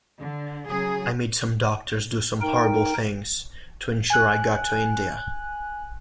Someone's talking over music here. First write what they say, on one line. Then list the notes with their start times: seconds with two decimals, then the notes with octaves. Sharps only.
I made some doctors do some horrible things to ensure I got to India.
0.17 D3
0.68 C#3 F#3 G#4
2.41 D#4 A#4 G5
4.10 G#5 F#6